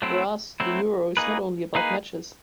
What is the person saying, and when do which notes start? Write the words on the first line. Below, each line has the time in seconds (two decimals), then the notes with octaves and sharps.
For us the Euro is not only about matches.
0.02 F#3 A3 C4 E4
0.60 F#3 A3 C4 E4
1.17 A#3 D#4 G#4 B4
1.75 A#3 D#4 G#4 B4